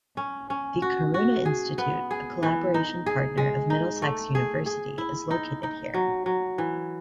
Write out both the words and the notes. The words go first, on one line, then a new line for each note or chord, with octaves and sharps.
The Karuna Institute, a collaboration partner of Middlesex University is located here.
C#4
C#4
F#4
F#4
G#4
B3
G#4
E3
D#4
G#4
G#3
D#4
A3
G#4
G#4
E4
D#4
D#4
F#3
F#3
E3